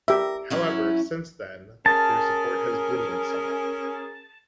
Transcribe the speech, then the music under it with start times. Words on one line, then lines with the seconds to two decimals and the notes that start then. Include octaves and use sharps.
However, since then, their support has dwindled somewhat.
0.08 G4 A#4 E5
0.50 F#3 C#4 E4
1.86 C#4 G#4 A#4 A5